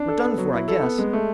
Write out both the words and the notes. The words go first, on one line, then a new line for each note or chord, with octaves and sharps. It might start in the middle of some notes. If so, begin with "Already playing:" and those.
"We're done for, I guess."
Already playing: D4
A4
B3
F#3
E4
A4
B3
G#3
A3